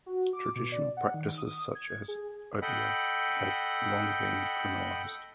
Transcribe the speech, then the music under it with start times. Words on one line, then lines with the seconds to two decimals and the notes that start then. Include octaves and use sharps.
Traditional practices such as obeah had long been criminalised.
0.06 F#4
0.33 D6
0.56 B2
0.72 D5
0.97 F#5
1.14 D#3
1.37 D#6
1.75 G#6
2.08 G#4
2.62 A4 D#5 F#5 G5 B5